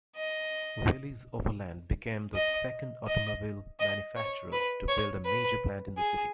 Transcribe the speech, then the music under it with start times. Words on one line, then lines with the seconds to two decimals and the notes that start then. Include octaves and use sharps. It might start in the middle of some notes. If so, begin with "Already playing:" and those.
Willys-Overland became the second automobile manufacturer to build a major plant in the city.
0.16 D#5
2.34 D#5
3.07 D#5
3.80 D#5
4.16 C#5
4.52 B4
4.88 C#5
5.25 B4
5.98 G#4